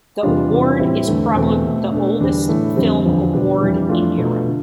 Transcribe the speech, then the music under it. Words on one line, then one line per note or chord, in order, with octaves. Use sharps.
The award is probably the oldest film award in Europe.
E2 C3 G3 D4 F4
E2 C3 E3 G3
A2 E3 G3 C4 E4
E2 D3 A3
E2 B2 A3 C4
B2 A3
B2 A3 D4
E2 D3 G3 D4
A2 E3 A3
F2 D3 G3 C4
E2 D3 F3
B2 G3 D4
F2 E3 G3
F2 E3 A3 D4 F4
B2 A3
D3